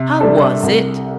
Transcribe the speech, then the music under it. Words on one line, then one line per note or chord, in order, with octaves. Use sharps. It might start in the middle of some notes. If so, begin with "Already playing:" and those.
How was it?
Already playing: C3
G3 D4 A4
C2